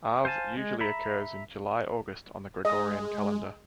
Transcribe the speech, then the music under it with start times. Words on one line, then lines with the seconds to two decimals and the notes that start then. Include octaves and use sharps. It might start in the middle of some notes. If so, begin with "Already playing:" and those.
Av usually occurs in July–August on the Gregorian calendar.
0.25 C5 F5 G#5 A5
0.57 G#3
0.81 E5 A#5 B5
2.65 G#3 D#5